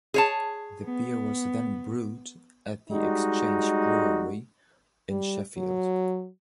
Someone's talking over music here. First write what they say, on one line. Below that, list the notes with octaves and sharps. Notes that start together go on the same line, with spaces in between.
The beer was then brewed at the Exchange Brewery in Sheffield.
G#4 C#5 A5
B3
G3 G#3 D#4 F#4
G3
F#3